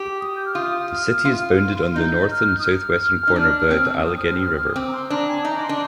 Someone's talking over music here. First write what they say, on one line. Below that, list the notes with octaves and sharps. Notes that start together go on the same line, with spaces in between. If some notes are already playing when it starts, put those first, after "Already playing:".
The city is bounded on the north and southwestern corner by the Allegheny River.
Already playing: G4
D#6
G6
F6
F4 D#6
F6
F4
D#4 G6
F6
D#6
F6
D#4
D4
C4
F6
D#6
D#6
F6
F6
F6
D#6
C4 D6
A#5
C6
D4 A#5
G#5
D#4 A#5
D6
C6
D4